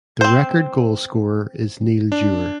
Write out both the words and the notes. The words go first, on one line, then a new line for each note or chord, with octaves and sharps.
The record goalscorer is Neil Dewar.
C4 C5
D4